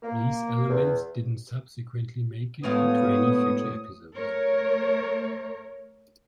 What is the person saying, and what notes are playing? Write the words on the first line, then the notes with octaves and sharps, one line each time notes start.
These elements didn't subsequently make it into any future episodes.
A#3
E2
D2 A2 G#3 B3 C#5 F5 D#6
A3 A#4 C#5